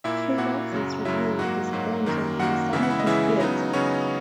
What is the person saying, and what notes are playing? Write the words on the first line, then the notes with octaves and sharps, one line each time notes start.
Freemasons rebut these claims of a Masonic conspiracy.
A#2 A#3 E4 E5
A#2 A#3 F#4 F#5
F#2 C#3 F#3
F#2 C#3 F#3 E4 E5
G#2 F#3 A#3 F#4 F#5
G#2 F#3 A#3
F#2 D#3 A#3
F#2 D#3 A#3 F#4 F#5
C#3 E3 G#3 E4 E5
F#5
E4 E5
D#5
C#3 E3 G#3 E4 E5
C#3 F#3 B3 D#4 D#5
C#3 F#3 B3 C#4 C#5